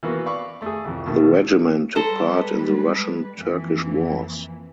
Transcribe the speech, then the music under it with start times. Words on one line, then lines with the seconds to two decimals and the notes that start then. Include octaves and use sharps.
The regiment took part in the Russian–Turkish Wars.
0.03 E3 A#3 B3 F#4
0.26 D5 F5 B5 C#6 D6
0.62 A3 G#4
0.85 C2 F2
1.06 B2 D#3 F3 A3
1.95 G3 G#3 A4 B4 C5 A#5
3.37 F2 E3 A#3